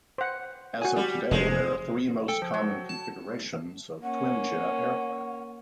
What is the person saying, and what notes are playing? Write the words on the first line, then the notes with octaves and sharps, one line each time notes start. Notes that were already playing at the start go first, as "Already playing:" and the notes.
As of today, there are three most common configurations of twinjet aircraft.
C5 F#5
F#4 G#5
G3
F1 G#3 C5
A4 G5
F3
F#3
A5
A#3 C#4 F#5